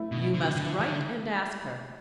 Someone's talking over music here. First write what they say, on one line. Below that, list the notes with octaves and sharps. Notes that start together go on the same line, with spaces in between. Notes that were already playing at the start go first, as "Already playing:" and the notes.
"You must write and ask her."
Already playing: A3 E4
B2
D3
D3
E3
D3